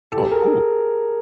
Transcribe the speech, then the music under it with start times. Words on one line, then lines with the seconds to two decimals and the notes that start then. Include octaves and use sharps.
Oh, cool.
0.12 G4 A4
0.31 G#4 A#4